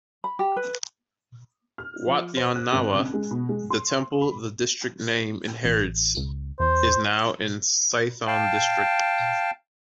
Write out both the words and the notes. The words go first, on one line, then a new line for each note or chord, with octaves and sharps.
Wat Yan Nawa, the temple the district name inherits, is now in Sathon District.
B5
G4
B4
F6
F3
C5
F#6
G#1
C#2
G#3
B2
G#3
C6
B5
A1
C#2
E2 C5
F5 G5 A5